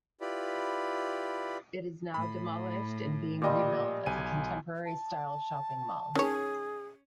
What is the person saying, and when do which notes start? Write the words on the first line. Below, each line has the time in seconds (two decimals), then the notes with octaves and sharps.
It is now demolished and being rebuilt as a contemporary style shopping mall.
0.21 E4 F4 G4 B4 D5 B5
2.14 A2 B5
3.42 A#2 F3 G3 D5 D#5
4.06 B1 G#5 D#7
4.85 A5
6.15 D#3 C#4 G#4 C#5